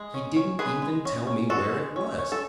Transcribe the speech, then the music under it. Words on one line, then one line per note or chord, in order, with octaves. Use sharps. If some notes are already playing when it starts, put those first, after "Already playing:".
He didn't even tell me where it was!
Already playing: G#3
C#4
C#4
G#3 G#4 B4
G#3
C#4
C#4
G#3 F#4 A4
G#3
C#4
C#4
A4